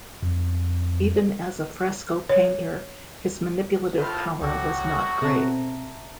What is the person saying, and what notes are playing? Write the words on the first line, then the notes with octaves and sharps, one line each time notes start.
Even as a fresco painter his manipulative power was not great.
F2
C#5
A2 F3 F4 A5 B5
C#2 A2 F#3 F#4 G5 D6
B2 C4 A4 E5 A5 A#5